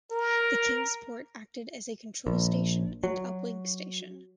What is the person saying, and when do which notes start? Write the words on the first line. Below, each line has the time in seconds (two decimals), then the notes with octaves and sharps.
The "Kingsport" acted as a control station and uplink station.
0.12 A#4
2.27 A#1
3.04 F#3